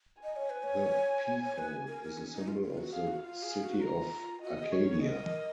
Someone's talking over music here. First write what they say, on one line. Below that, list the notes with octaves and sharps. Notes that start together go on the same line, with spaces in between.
The peafowl is a symbol of the city of Arcadia.
D#5 G#5
C#5
B4
C#5
C#5
B4
A#4
A#4
C#4
D#4
F4
F4
F#4
G#4 F5
F#4
F4 F5
G#4
F#4
F4 A#5
F#4 D#5
F#4
G#4
C#5
A#4
G#4
A#4 D#5